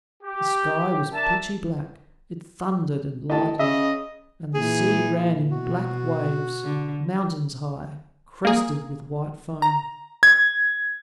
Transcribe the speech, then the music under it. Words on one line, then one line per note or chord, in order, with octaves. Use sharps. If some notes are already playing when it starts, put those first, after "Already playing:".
The sky was pitchy black; it thundered and lightened, and the sea ran in black waves, mountains high, crested with white foam.
G4
D4 A#4 E5 A5
A2 D#5 A5
C#3 D#5 E5
A#2 E3 G#4
B2 F#4
D3
A#3 G#4
A#5
G#6